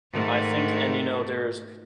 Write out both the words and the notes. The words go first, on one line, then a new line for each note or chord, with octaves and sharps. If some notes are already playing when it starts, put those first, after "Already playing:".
I think and you know, there's
G#2 D#3 A3